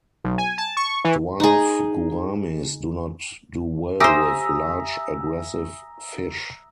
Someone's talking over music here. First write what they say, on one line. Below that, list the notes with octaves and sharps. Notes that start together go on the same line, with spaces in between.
Dwarf gouramis do not do well with large, aggressive fish.
B1
G#5
A5
C#6
E3
D#4 G#4
G4 C5 E5 G#5 A#5 D#6